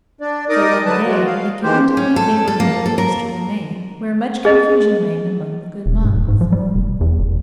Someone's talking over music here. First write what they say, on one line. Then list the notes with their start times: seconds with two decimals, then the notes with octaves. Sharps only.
So, one day, they came into the neighbourhood of Oyster-le-Main, where much confusion reigned among the good monks.
0.21 D4 D5
0.49 D#4 A#4 D5 D#5 D6 D#6
0.86 D3 F#3 B4 A5 D#6
1.06 F#3 G#3 F#4
1.25 F5
1.63 D#3 E3 G#3 A#3 G4 C5
1.97 C#4
2.16 A4
2.48 A4
2.60 A#3
2.86 A4
2.98 A#4
4.45 G#4 D#5
5.86 E1
6.04 G2
6.16 E1
6.28 G#2
6.41 F3
6.52 G3
6.75 F1
7.01 E2
7.19 F1